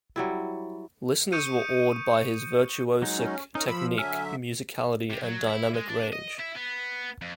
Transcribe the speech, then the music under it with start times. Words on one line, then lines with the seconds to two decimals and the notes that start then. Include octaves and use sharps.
Listeners were awed by his virtuosic technique, musicality, and dynamic range.
0.16 F#3 G3 E4
1.32 C#6 D#6 G6 C#7 D#7
3.02 F#3 G#3 D#4
3.18 C#4
3.55 C#4 D#4 A#4
3.68 F3 B5 E6
3.98 D3 F#3 E5 G#5 F6
5.10 C3
5.23 F#3
5.47 E4
5.75 G#3
5.89 D4
6.13 D#5
6.39 E4
6.55 B3
7.21 F2